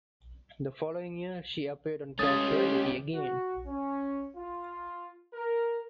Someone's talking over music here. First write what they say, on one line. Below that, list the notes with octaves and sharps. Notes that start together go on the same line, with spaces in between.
The following year, she appeared on "Casualty" again.
A3 C#4 F4 G4 D#6 A6
F#4
C#4
F4
A#4